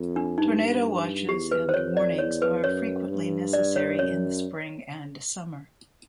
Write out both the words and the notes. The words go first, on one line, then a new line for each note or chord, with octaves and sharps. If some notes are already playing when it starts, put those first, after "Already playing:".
Tornado watches and warnings are frequently necessary in the spring and summer.
Already playing: F2
D4
G2 D#4
E2 G4
B4
C5
F2 C#5
D5
E2 C#5
B4
F#2 C#5
G2
D5
C#5
F#2 C#5